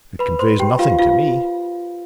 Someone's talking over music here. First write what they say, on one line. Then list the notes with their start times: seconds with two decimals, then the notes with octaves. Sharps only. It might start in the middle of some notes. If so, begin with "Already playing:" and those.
"It conveys nothing to me!"
0.19 B4 B5
0.39 C5 C6
0.59 G4 G5
0.79 F4 F5
0.99 F4 F5